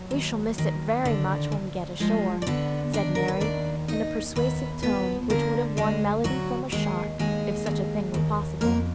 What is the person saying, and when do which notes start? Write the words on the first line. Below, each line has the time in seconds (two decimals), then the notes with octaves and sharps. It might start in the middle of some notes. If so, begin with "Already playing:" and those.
We shall miss it very much when we get ashore,' said Mary, in a persuasive tone which would have won melody from a shark, if such a thing were possible.
Already playing: F#3
0.11 D#2
0.58 D#3
1.05 D3
1.52 D2
2.00 F3 G#3 G#4
2.42 D5
2.47 D3 B3 B4
2.93 D#3 D4 D5
3.15 A#4
3.28 B4
3.41 D#2 D4 D5
3.88 D#2 D#4 D#5
4.36 D#2 B3 B4
4.83 F3 B3 B4
5.30 D3 A#3 A#4
5.77 D2 G#3 G#4
6.24 D2 F#3 F#4
6.72 D#2 G#3 G#4
7.19 D#2 G#3 G#4
7.66 D#2
8.14 D#2
8.61 F2 A#3 A#4